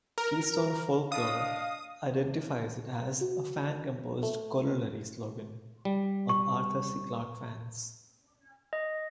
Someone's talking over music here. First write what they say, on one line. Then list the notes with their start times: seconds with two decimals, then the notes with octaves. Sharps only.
"Keystone Folklore" identifies it as a "fan-composed corollary slogan" of Arthur C. Clarke fans.
0.18 A#4
1.12 D4 D#5 F5 D#6
3.21 F#4
4.23 A3
5.85 G3
6.29 C#6
8.73 D#5